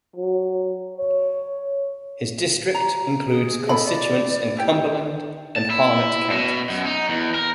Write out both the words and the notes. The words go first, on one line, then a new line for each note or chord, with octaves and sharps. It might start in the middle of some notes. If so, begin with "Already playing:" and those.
His district includes constituents in Cumberland and Harnett counties.
F#3
C#5
A#5
G#4
A4 D#5 B5
D5
E4 G4 G5
A5
E4
B2
F#2
D#4
E2
A#4